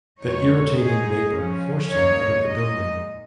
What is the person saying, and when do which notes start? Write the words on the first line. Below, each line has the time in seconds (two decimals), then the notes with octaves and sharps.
The irritating vapor forced him out of the building.
0.20 F2 D#3 G#3 D#4 C#5
0.76 A#2 G#3 D#4 G#4
1.32 C#3 F3 C#4
1.87 D#2 D#3 A#3 D#4 C#5
2.44 A#2 G#3 D#4 D#5